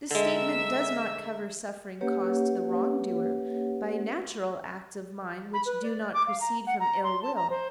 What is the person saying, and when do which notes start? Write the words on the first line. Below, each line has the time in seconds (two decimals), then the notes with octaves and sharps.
This statement does not cover suffering caused to the wrong-doer by natural acts of mine which do not proceed from ill-will.
0.11 D3 G#3 A#4 E5 E6
2.01 A#3 C#4 G4 B4 C#5 F#5
5.53 B5
5.65 B4
5.83 D5
6.13 D6
6.27 F5
6.40 A#5
6.66 F#5
6.79 A#5
7.03 C6
7.22 A5
7.35 A#5
7.50 C5